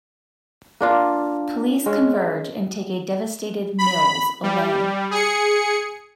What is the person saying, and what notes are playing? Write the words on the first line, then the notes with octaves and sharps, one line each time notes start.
Police converge and take a devastated Mills away.
A#3 D4 F4
G#3 C#4
B5
G3
G#4 C#7